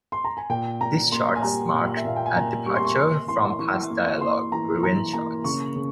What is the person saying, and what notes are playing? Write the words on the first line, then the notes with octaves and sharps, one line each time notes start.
These shorts marked a departure from past dialogue-driven shorts.
C6
A#5
G#5
A#2 G5
A#2 A#5
A#3 C6
G#5
G3 A#5
A#2
E5
A#2 F5
G5
G#5
A#3 A#5
G3 C#6
C6
C#6
A#3 C6
E3 C6
E3 C#6
A#3
A#3 C6
E3 A#5
E3 A#5
A#3 A#5
C#3 C#6
C#3